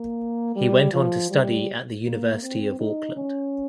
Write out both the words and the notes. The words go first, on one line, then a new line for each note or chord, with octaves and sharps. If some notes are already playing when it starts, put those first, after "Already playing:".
He went on to study at the University of Auckland.
Already playing: A#3
G3
F3
G3
A#3
C4
D#4
C#4